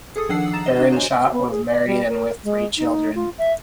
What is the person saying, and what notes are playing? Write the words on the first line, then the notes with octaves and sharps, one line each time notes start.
Berenschot was married and with three children.
G#4 A4 D#6
D#3 F3 D4 F#5 E6 C7
A#5 A6 E7
D#5
D4 F#4
C5 C#5 D#5 G#5
B3
G#4
D5
G3
A#4
G#3
D#4
F4
E5